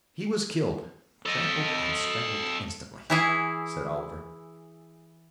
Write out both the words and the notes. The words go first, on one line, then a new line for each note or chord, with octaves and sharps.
"He was killed--trampled and strangled instantly," said Oliver.
A4 D#5
E3 E4 G#4